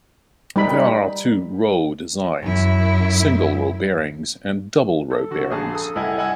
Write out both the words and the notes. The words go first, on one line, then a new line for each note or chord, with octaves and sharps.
There are two "row" designs: "single-row" bearings and "double-row" bearings.
G3 D#4 B5
F#2 E4
A4
D3 F#4
A#1 G#4 A5
A4 D#6
C2 E4 A4 D#5 F#5 G#5
D#5 F#5 G#5 E6